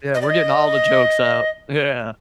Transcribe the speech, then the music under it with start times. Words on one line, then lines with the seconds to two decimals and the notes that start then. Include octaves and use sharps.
Yeah, we're getting all the jokes out, yeah.
0.14 D#5
0.21 D5
0.30 D#5